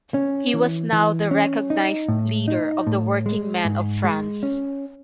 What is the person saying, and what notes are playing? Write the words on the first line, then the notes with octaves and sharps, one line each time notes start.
He was now the recognized leader of the working-men of France.
C#4
E3
E3
C#4
D#4
A2
D#4
A2
G#3
G#2
G#3
C#4